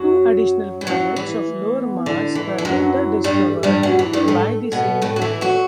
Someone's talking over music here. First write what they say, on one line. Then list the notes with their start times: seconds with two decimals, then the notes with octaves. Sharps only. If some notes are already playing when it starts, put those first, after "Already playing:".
Two additional planets of lower mass were later discovered by the same technique.
Already playing: F#2 F#3 F#4
0.81 E3
0.87 F#2 F#3 E4
1.07 G4
1.16 E3
1.26 E4
1.47 A3
1.76 B3
2.06 D3 E4
2.35 E3 E4
2.58 E3
2.65 F#2 F#3 D4
2.95 E4
3.24 G2 G3 G4
3.47 A4
3.54 G4
3.63 G2 G3
3.83 F#2 F#3 F#4
3.99 E3 E4
4.13 G2 G3
4.23 A4
4.28 A2 A3
4.38 A4
4.52 A4
4.68 A4
4.72 B2 B3
4.82 A4
4.98 A4
5.02 A2 A3
5.13 A4
5.16 F#4
5.22 E3 E4
5.27 A4
5.41 F#3 F#4